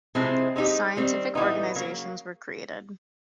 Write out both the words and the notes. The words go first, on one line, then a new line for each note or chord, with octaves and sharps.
Scientific organisations were created.
C3 F3 G#3 C4 E4
G#3 C4 D#4 G4
D#3 G3 C4
A2 E3 G3 B3 D#4
C#3 F#3 A#3